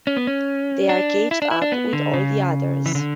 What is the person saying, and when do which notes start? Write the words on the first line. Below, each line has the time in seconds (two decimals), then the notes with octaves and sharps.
They are caged up with all the others.
0.07 C#4
0.17 B3
0.27 C#4
0.89 D4
1.31 E4
1.42 D4
1.51 E4
1.62 D4
1.72 B3
1.93 D3
2.13 C#3
2.86 E3
2.95 D3